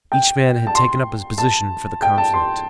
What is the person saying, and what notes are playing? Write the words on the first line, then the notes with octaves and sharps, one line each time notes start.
Each man had taken up his position for the conflict.
G5
A5
C6
A5
G5
A5
C6